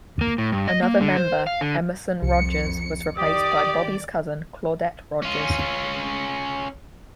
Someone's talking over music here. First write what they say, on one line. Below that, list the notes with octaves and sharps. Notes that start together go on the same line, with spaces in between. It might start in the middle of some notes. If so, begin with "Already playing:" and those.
Another member, Emerson Rogers, was replaced by Bobby's cousin Claudette Rogers.
A#3
A2
G2
D#5
A#3
D3
C5
F5
D3
C2 F2 C#7
D#3 G4 D5 D6 D#6
C#4 F4